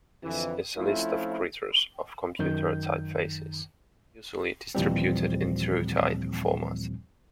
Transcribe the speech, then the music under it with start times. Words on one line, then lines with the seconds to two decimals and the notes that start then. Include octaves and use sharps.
This is a list of creators of computer typefaces, usually distributed in TrueType format.
0.23 F2 D3 E3
0.76 F3 A3 C4 C#4 E4 F4
2.39 F#2 D#3 G6
4.75 D#2 A#2 E3 F3 G3 C4